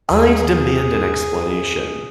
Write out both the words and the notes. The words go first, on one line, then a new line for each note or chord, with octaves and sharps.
I'd demand an explanation.
D#2 G#4